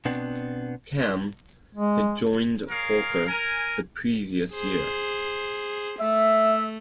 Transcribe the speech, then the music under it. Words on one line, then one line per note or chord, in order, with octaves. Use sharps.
Camm had joined Hawker the previous year.
B2 B3 C4 D4
G#3
G#4 A#4 C#5 F5
A#4 G#5
G#4 C5
A3 E5